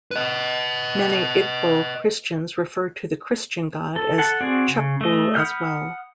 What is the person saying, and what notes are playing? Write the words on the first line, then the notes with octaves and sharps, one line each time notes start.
Many Igbo Christians refer to the Christian God as Chukwu as well.
B4 D#5
A4
A4 F#5 A5
C4 F#4 G#4 D5
C#3
A3 D#5
F#5 B5 D#6 F6 G6